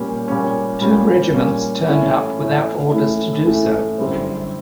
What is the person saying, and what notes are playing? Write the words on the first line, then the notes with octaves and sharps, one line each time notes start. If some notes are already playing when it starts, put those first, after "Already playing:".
Two regiments turned up without orders to do so.
Already playing: A#2 G3 A#3 C#4
A#2 G3 A#3 C#4
A#2 G3 A#3 C#4
A#2 G3 A#3 C#4
A2 E3 A3 C#4
A2 E3 A3 C#4
A2 E3 A3 C#4
A2 E3 A3 C#4
F#2 D3 G3 C4